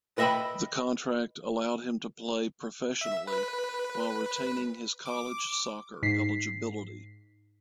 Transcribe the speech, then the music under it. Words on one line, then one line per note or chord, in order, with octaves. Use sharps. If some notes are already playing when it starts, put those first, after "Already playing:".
The contract allowed him to play professionally while retaining his college soccer eligibility.
B4 D#5 E5 F#5 G5 B5
E5
B4
D6
G#2 B6 C7